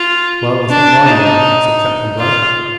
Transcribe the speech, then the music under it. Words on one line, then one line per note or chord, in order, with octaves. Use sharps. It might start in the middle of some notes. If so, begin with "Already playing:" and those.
"Well, it's not mine, now," said Captain Blood.
Already playing: F4
D4
D#4
F4